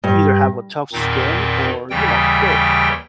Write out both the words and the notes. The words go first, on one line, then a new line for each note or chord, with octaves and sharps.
either have a tough skin or, you know, quit
G2
E2 A#2 D#3 C4 D#4
D#2 C#3 E3 G3 G5